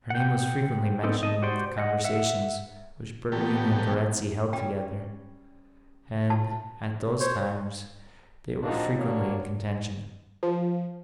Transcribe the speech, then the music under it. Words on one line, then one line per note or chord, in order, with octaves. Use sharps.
Her name was frequently mentioned in the conversations, which Bertolini and Verezzi held together, and, at those times, they were frequently in contention.
F#5 G5
B3 C4 D#4 A4
D#5 A5
F#4 G4 C5 D5 C6
D#5 F#5
E5 F#5
A#2 E3 A3 B3 G4
G3 C#4 G5
A5
C5 C#5
F3 C4 D4 D#4 F4 F#4
D#2 F#3 A#3 D4 C#5
F3